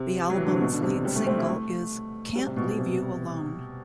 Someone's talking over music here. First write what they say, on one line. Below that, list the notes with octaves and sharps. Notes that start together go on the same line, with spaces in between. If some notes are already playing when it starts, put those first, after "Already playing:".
The album's lead single is Can't Leave U Alone.
Already playing: C3
F#3
E3
D3
C3
B2
D3
C3
D3
G3
A3
C4
E4
A3
G3
C3
B2
B2
C3